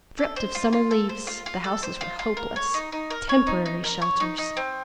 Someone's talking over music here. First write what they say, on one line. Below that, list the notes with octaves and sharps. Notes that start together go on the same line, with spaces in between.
Stripped of summer leaves the houses were hopeless--temporary shelters.
A4
C5
F4
F4
A4
C5
F4
F4
A4
C5
F4
F4
A#4
C#5
D#4
D#4
A#4
C#5
D#4
D#4
A#4
C#5
D#4
D#4
C4